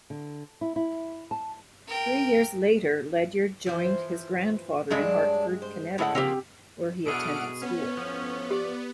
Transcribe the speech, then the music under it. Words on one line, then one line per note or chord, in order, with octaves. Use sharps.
Three years later Ledyard joined his grandfather in Hartford, Connecticut, where he attended school.
D3
E4
E4
A5
A#4 G5
E3 F3 C5
G2 F#3 G#3 D4
C5
A2 D3 G#3 A3 C#4 F#5
C#3 F3 A#3 C4 G4
B2 D4 E4 G#4 A4 F#5 F6 D7
A2 B3 C#4
F3
G4 D5